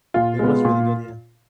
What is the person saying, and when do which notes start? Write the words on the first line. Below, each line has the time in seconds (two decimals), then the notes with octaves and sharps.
It was really good, yeah.
0.14 A#2 F4
0.39 G#3 B3
0.65 A#2